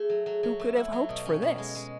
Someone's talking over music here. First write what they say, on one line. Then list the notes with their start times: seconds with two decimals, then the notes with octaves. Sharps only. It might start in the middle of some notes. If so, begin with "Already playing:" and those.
Who could have hoped for this?
Already playing: A3 G#4
0.09 F#3
0.26 F#3
0.43 F#3
0.59 A3
0.76 E4
0.92 F#3
1.09 B2
1.25 C#4
1.42 B2
1.58 G#3
1.75 G#3